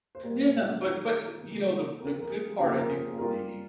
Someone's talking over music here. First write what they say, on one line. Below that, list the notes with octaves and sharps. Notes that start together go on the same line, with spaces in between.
Yeah, but but, you know, the the good part I think will be
C5
A#2 G3 A#3 A#4
D#3 G#3 D#4 G#4
C3 D#3 A#3
F3 C4 F4 A#4
A#4
G#4
C#3 F3 A#3 F4 G4
C5
A#4
G#4
G3 C4 F4 A#4